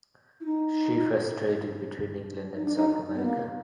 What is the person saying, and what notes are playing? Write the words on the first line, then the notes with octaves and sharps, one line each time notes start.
She first traded between England and South America.
E4
D#4
D#4
D4
D#4
B3
A#3